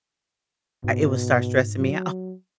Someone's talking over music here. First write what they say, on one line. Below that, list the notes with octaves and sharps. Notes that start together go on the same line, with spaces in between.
I it will start stressing me out.
G#2 B2
F#3